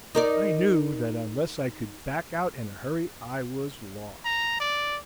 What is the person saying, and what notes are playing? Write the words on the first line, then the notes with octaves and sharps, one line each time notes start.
I knew that unless I could back out in a hurry, I was lost.
D#4 A#4 D5
A#5
D5